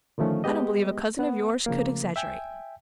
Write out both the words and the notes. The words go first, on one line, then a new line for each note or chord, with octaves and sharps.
I don't believe a cousin of yours could exaggerate.'
D3 D#3 F3 A3 C#4
G#3 B3 G4 D#5
B3 F#5
C#3 F3 A#3
E5 G5 G#5